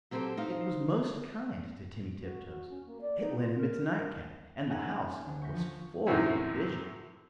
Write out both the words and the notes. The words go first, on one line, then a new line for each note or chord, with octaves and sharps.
It was most kind to Timmy Tiptoes; it lent him its nightcap; and the house was full of provisions.
F#3 A#3 C4 G4 A4 C5
D#4 C5 F5
F#4
F#4
C#4
A#3
D5
D#4
F4
A#4
A#3 C#4 D#4 G#4 A#4 F#5
D2
C#6 G6 A#6 B6
F3 C#6
F#2 A2 C3 D#3 E3 F#3